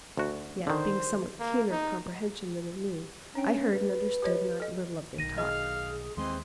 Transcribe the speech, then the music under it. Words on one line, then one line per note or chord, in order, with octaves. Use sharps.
Yet, being somewhat keener of comprehension than they knew, I heard and understood not a little of their talk.
D2 F#4
D3 D#3 C5
A#3
D#4
C#4 D4 G5
B4
G4 C#5 D#5
A4 D#5
B1 D#3 A#6 D#7
G#4 D#5 F5 F6
D#2 E3 G#3 C4 D#5 C6